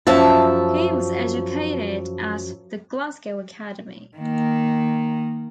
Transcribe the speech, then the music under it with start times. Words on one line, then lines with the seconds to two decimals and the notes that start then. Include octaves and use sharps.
He was educated at The Glasgow Academy.
0.07 F#2 F3 E5 A5
4.17 D#3 A#3